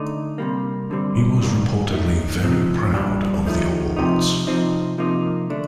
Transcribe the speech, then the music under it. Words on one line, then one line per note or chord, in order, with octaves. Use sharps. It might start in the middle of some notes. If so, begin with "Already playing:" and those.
He was reportedly very proud of the awards.
Already playing: D3 A3 D#4
C3 G3 A#3
G2 D3 G3 C4
G2 D#3 G3 A#3
A2 A3 D#4
A2 F3 C4 D#4
A#2 G3 D4
A2 F3 A3 D#4
C3 F3 A3 D#4
C3 F3 C4 D#4
C3 F3 A#3 D#4
D3 A3 D4